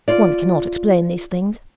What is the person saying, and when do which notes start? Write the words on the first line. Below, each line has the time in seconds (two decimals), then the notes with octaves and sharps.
One cannot explain these things.
0.08 F4 D5